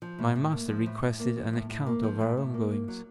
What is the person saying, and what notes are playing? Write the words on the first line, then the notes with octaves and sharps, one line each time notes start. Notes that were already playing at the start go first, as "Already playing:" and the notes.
My master requested an account of our ongoings.
F3
A2
A2
A#3
F3
A2
A2
A#3
F3
A2
A2
A#3
F3
A2
A2
A#3
A#3
F#3